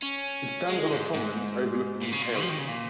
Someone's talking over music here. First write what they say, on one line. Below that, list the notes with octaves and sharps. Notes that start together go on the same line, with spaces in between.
It stands on a prominence overlooking the Kale Water.
C#4
G#3
G#2
G#2
A#2
C#3
A#2
F3
D#3
C#3
A#2